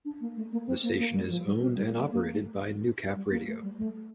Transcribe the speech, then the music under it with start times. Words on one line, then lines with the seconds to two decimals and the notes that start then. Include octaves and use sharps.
The station is owned and operated by Newcap Radio.
0.05 D4
0.21 A#3
0.36 A3
0.52 A#3
0.67 C4
0.83 A#3
0.98 A#3
1.14 G3
1.29 F3
1.45 G3
1.60 C4
1.76 G3
1.92 A#3
2.12 A#3
2.33 A3
3.15 G3
3.31 A#3
3.46 A3
3.63 G3
3.78 A3